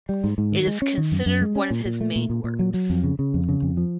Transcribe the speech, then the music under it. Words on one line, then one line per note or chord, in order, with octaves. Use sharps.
It is considered one of his main works.
G3
G#2
G#2
D#3
G#3
C#4
D#3
F#2
F#2
G#3
C#4
A#2
A#2
A3
A#2
A#2
A#2
F#3
F#3
F2
C#3
C#3
F2
C#3
F2
F3